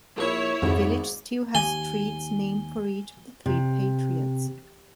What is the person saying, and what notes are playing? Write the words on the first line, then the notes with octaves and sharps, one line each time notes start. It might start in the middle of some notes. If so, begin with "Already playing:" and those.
The village still has streets named for each of the three patriots.
A#1 E4 C#5 C#6
G#1 F2 G#2
D#2 G#5 G7
C3